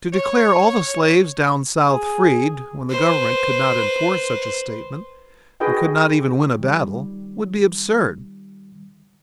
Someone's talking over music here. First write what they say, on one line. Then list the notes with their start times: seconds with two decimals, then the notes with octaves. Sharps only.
To declare all the slaves down South freed, when the Government could not enforce such a statement and could not even win a battle, would be absurd.
0.13 C#5
1.88 G#4
2.90 B4 C5
5.60 D#4 F#4 G#4 B4 D#5 G5
6.59 D#3 G3